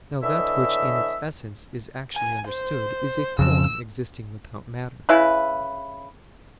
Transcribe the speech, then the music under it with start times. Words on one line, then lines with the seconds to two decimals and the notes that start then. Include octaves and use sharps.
Now that which in its essence is actually understood is a form existing without matter.
0.23 D3 E3 C#5 D#5 E5
2.16 G#5
2.49 C5
3.39 F2 C#3 E6
5.09 C#3 E4 B4